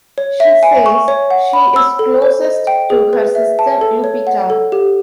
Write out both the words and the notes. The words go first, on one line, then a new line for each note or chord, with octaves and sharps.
She says she is closest to her sister Lupita.
C#5
E5
G#5
C#6
C#5
F#5
B5
E6
A4
C5
D#5
G5
G#4
B4
E5
A5
A4
C#5
F#5
A4
G4